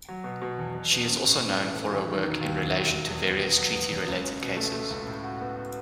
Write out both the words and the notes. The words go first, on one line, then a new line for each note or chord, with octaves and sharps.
She is also known for her work in relation to various Treaty-related cases.
F#3
B2
B2
E2
B2
B2
C#4
A2
C#4
E3
A3
E3
D#3
E1
D#2
E1
D#2
E1
E2
B3
B3
F#3
B3
E2
C#2
C#4
B2
A3
A3
C#2
A2
F#4
B3
F#4